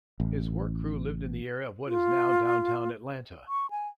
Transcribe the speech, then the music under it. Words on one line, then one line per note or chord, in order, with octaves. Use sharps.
His work crew lived in the area of what is now downtown Atlanta.
A1
F4
C#6
G#5